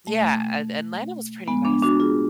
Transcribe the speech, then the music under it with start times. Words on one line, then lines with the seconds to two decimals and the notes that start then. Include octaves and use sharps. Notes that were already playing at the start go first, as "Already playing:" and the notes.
yeah, At Atlanta was pretty nice.
0.06 B2 A3
1.48 A2 F3 G#3 B3
1.65 B3 D4
1.82 D4 F#4
2.00 F4 G#4